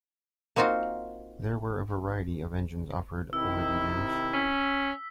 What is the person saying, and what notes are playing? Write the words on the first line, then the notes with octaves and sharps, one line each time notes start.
There were a variety of engines offered over the years.
A#3 C4 D#4 F4 F#4
C3 D#3 E4 E6
C#4 B6